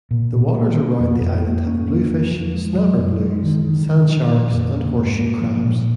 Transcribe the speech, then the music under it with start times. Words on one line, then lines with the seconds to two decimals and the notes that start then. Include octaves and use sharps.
The waters around the island have bluefish, snapper blues, sand sharks, and horseshoe crabs.
0.11 A#2
0.33 A#2
0.55 A#3
0.77 A#3
1.00 F2
1.21 F2
1.43 A#3
1.66 C#4
1.88 A#3
2.10 F2
2.31 F3
2.54 G#3
2.75 F#3
2.97 F#2
3.20 G#3
3.43 D#3
3.65 D#3
3.87 D#3
4.09 F3
4.30 A#2
4.52 F2
4.75 A#3
4.97 G#2
5.19 A#3
5.41 F3
5.63 A#2